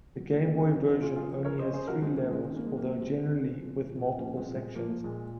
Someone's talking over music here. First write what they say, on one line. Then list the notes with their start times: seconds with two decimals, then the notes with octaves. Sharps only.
The Game Boy version only has three levels, although generally with multiple sections.
0.16 F#3
0.30 A#3
0.44 C#3 A#3
0.59 G#3 C4
0.73 F#3 C4 D#4
0.87 C4 D#4
1.02 C#3 C#4 F4
1.16 F4 G#4
1.30 F3
1.45 A#4 C#5
1.59 C#3 C5 D#5
1.74 G#4 C5
1.87 F3 F#4 A#4
2.02 G#3 C4
2.17 C#3 A#3
2.31 G#3
2.45 D#3 C4
2.56 A#3
2.67 G#3
2.74 F#3 A#3
3.03 C3 G#3 C4
3.32 C3
3.60 F3
3.90 A#2
4.18 F3 A#3 C#4
4.37 G#3 C4
4.46 A#2
4.56 G#3
4.75 F3 A#3
5.04 A#2 G#3